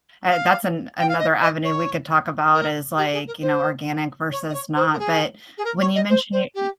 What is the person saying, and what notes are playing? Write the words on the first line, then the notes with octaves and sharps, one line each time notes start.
uh, that's an another avenue we could talk about is, like, you know, organic versus not, but, when you mentioned you e
F5
G5
F5
D#5
D#5
C#5
A#4
G4
G#4
A#4
C5
C#5
D#5
C#5
C5
A#4
G#4
G#4
A#4
C#5
D#5
C5
C5
G4